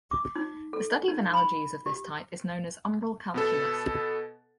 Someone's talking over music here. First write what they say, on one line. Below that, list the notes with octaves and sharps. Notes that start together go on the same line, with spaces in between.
The study of analogies of this type is known as umbral calculus.
D6
D#4
A4
D#4
B5
G4
B2 B3 A4